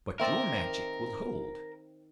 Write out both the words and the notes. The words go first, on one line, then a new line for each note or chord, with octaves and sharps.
But your magic will hold.
D#3 C4 A#4 D5 E5